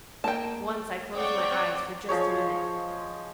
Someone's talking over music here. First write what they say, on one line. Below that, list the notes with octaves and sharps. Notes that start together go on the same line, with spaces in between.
Once I closed my eyes for just a minute.
A#3 D#5 G5 A5
C4 C#5 D5 F#5 G5 D6
F3 G#3 C#5